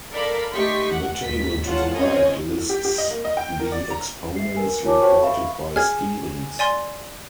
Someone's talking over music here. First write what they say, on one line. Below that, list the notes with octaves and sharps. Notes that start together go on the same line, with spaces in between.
The table to the right lists the exponents reported by Stevens.
A4 A#4 D5 F5 A#5 B5
A3 D#4 G4 C6 C#6 B6
F#5
D#2 G#2 B6
F4 C#5 F#5 A5
C4 C#4 F4 G#4 C#5 D#5
E3
G4
G4
D#5
A#3
D#5
G5
A#4
D5
A#5
E5 C7
A#4 B4 G#5
F4 A#4 C#5 G#5 A5 D6
F#4 C5 C#5 G5 A5 C#6
B4 E5 F5 B5 C#6
G#4 F6 G#6
D5 G#5 C6